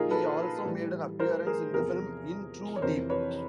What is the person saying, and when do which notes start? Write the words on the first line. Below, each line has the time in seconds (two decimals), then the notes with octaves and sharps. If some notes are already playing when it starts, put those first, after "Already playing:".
He also made an appearance in the film "In Too Deep".
Already playing: A#2 F3 D#4 F4 G#4 A#4
0.11 A4 B4
0.66 A2 E3 G3
1.20 A#4 C5
1.46 G#4 A#4
1.73 E2 C3 F3 G#4 A#4
2.76 C#5
2.82 F2 C3 E3 A#4 C5
3.09 B4 C#5